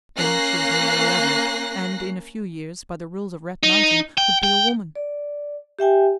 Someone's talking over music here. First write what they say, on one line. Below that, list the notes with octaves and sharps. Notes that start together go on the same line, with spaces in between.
Then she was nearly eleven, and in a few years, by the rules of Red Mountain, would be a woman.
A#3 C#4 F#6 A#6 C7
D#4
G5
G5
D5
G4 E5 G5 G#5